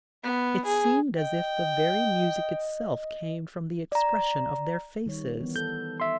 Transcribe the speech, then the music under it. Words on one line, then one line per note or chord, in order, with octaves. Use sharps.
It seemed as if the very music itself came from the expression of their faces.
B3
G#4
D#5 G5
D5 A#5
D#3 G3 C#5
E3 B3
A4 G6
E5 C6